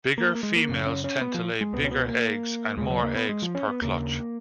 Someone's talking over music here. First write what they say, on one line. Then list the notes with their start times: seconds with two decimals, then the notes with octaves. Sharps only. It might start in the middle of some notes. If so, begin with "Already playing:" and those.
Bigger females tend to lay bigger eggs and more eggs per clutch.
0.18 A#3
0.35 A#3
0.43 G#3
0.56 A#3
0.69 F#2 C#3
0.86 C#4
1.04 C#4
1.21 B3
1.34 F3
1.61 G#3
1.73 C#2 B2 B3
1.84 C#4
1.91 B3
2.08 A#3
2.77 D#2 C#3 G#3
2.90 F#3
3.03 A#3
3.16 B3
3.29 G#3
3.42 F3
3.55 C#4
3.68 B3
3.82 D#2 C#3 A#3